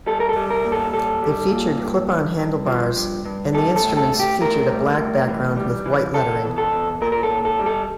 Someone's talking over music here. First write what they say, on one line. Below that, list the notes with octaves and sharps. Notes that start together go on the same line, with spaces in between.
It featured clip-on handlebars and the instruments featured a black background with white lettering.
G3 A4
A#4
A4
G3
A#4
A#2
A4
G3 A4
G3
A#2
G2
G2
G2
F3
G2
G2
G3 A4
A4
A2
A4
A2
G4
A2 A#4
G3
A2
E3
G3
E3
E3 A4
E2
A4
E2
A#2 A#4
A#4
A4
A#2
A4
G3
A4